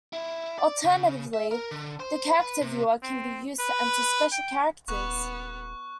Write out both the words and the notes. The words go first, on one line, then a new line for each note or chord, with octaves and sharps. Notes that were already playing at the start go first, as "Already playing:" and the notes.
Alternatively the Character Viewer can be used to enter special characters.
E4
D5
C#3
E5
A#4
D3
C5
B4
C3
C4
B4
G5
D#1 B3 C#6 F#6